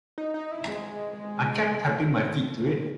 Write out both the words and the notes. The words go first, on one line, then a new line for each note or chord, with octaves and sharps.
I kept tapping my feet to it.
D#4
D#4
E4
G#3
G#3
A3